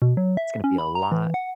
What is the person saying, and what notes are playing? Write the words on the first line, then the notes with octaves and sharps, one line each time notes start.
it's gonna be a lot
B2
F#3
E5
C#4
B5
A#5
E3
F#5